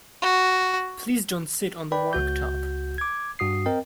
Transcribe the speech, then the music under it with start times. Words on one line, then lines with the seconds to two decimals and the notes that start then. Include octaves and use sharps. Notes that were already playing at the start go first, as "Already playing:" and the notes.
Please don't sit on the worktop!
0.22 F#4
1.92 B4 D5 G5 B5
2.13 C#2 F#4 G6
2.98 D6 G#6
3.39 G2 F#4 D#6 C7
3.66 C4 A#4 D#5 G5